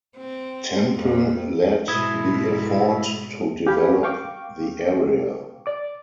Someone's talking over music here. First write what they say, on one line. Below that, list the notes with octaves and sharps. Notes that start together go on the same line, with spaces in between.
Temple led the effort to develop the area.
C4
F2
G#2 B2 E4 D#6 G#6
G4 F5 G5 G#5 B5
F5 G5 C#6 D6
D5 D6